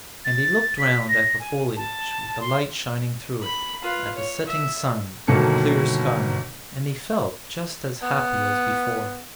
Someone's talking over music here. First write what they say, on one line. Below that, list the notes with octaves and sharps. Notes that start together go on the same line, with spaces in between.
And he looked round at the foliage with the light shining through it, at the setting sun and the clear sky, and he felt just as happy as before.
A6
B6
A#6
G#5
A5
C6
B5
F4 B4
C#5
E5
G1 B2 D#3 A#3 A4 C#7
B3